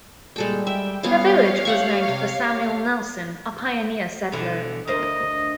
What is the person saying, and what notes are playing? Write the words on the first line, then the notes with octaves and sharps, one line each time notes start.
The village was named for Samuel Nelson, a pioneer settler.
A#2 G3 G#3 A4 G5
E5 G5
G3 B3 C#4 F4 G4 C#5 F5
A3 F#5 G5 C#6
C3
A#3
B2 D3 E3
D2 A#4 C5 D#5